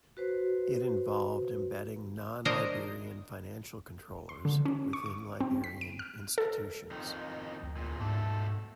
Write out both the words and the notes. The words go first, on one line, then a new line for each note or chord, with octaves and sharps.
It involved embedding non-Liberian financial controllers within Liberian institutions.
F#4 B4 C5
D4 A#4 C5 C#5 D#5
C6
D3
C#4
C#6
C#6
C4
B6
D7
F6
A4
F2 D#3 D#4
D2
E2 G2 A#2
G#2 B2 A3 A4